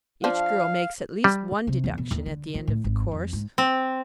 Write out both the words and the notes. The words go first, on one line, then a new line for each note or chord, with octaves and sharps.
Each girl makes at least one deduction at the end of the course.
F3 D4 F5
G3
C3
E2
B2
D#2
D3
F3
A2
G#1
F2
G#2
C4